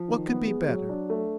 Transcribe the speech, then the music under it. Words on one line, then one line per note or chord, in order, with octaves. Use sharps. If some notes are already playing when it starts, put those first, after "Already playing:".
What could be better?
Already playing: F3
D#3
B3
G#3
F#3
D4
A3